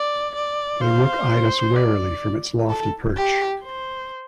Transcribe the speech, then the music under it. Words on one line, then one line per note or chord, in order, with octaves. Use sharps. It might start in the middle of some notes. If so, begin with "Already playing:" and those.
The rook eyed us warily from its lofty perch.
Already playing: D5
D5
C5 F5
D5
A4
G4
C5